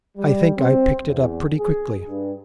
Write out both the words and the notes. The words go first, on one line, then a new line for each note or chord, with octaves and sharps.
'I think I picked it up pretty quickly.
G3
C4
E2
G#4
G2